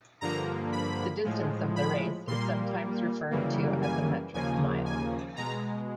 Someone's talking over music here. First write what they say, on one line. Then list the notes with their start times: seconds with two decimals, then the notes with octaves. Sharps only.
The distance of the race is sometimes referred to as a metric mile.
0.21 G2 D3 F3 A#3 A#5
0.72 B5
1.24 A2 F3 G#3
1.76 B5
2.27 A#2 G3 A#3 C6
3.31 F#2 C#3 E3 G3 A#3
3.82 G#5
4.33 D#2 C#3 F3 A#3 G#5
4.86 G#5
5.36 B2 G#3 A#5